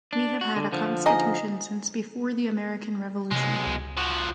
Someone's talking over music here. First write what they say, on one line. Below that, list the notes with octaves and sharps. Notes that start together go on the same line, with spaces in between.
We have had a constitution since before the American revolution.
D4
F#4
D3
D3 F3
D#4 G#4 D#5
B1 C3 G#3
C#2
F3 F#4